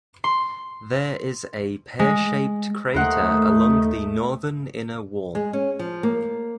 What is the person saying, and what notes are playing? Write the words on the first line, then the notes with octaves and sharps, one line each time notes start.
There is a pear-shaped crater along the northern inner wall.
C6
G#3
D#2 A3 D#4 A#4 C5 F#5
G#3
C#4
F3
A#3